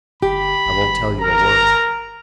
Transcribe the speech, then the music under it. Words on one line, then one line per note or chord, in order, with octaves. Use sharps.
"I won't tell you a word."
G1 G4 B5
G#1
A#4 A#5